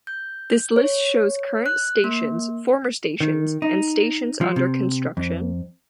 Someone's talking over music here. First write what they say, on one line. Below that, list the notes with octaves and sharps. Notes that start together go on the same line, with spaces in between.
This list shows current stations, former stations and stations under construction.
G6
C#5
F#6
A#3
D#3
D#4
F3
C3
F2